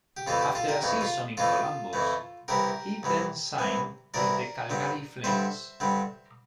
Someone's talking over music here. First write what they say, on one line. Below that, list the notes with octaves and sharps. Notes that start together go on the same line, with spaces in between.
After a season in Columbus, he then signed with the Calgary Flames.
G4
F2 E3 A3 F4 A4
G4
F4 A4
G4 A#4
F2 E3 A3
F4
F2 E3 A3 F4 A4
F2 E3 A3
C2 C3 E3 G4 A#4
C2 C3 E3
C2 C3 E3
C2 C3 E3 A#4 D5
G2 D3 G3 C4
G2 D3 G3 C4 C5 E5
G2 D3 G3 C4